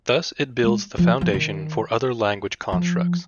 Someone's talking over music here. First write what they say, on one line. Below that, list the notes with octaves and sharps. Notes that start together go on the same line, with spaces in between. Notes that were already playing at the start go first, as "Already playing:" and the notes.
Thus it builds the foundation for other language constructs.
G#3
F3
F3
D#3
F3